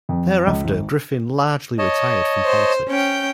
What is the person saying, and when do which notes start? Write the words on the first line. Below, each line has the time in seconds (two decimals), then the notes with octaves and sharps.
Thereafter, Griffin largely retired from politics.
0.09 F2
0.47 C#2
0.65 G#1
1.79 C#5 D#5 A5
2.45 C5
2.90 C#4 G5 G6